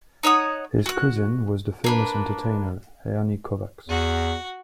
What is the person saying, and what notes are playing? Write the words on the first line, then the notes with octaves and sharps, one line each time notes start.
His cousin was the famous entertainer Ernie Kovacs.
D#4 C#5 F#5 D#6
F#4 F#6
A#3 D4 B4
E2 F#4